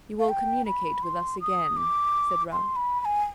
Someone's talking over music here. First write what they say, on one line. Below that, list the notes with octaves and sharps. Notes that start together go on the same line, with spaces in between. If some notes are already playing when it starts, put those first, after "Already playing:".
'You will communicate with us again?' said Ralph.
F5
G5
B5
C6
D#6
D6
C6
B5
B5
G#5